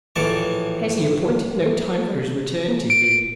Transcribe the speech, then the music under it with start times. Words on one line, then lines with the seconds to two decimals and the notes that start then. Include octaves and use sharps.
"Has he appointed no time for his return to you?"
0.16 A#1 A2 E3 A5 C#6 D6
2.90 D7